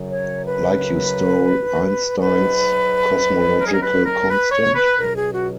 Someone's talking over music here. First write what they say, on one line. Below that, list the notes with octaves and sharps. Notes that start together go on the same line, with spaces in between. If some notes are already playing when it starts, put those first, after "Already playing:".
Like you stole Einstein's cosmological constant?
Already playing: F#2 C#3 F#3
C#5
B4
G#2 F#3 B4
A#4
G#4
A#4
B4
A#4
B4
C#5
B4
C#2 B2 F#3 A#4
G#4
F#4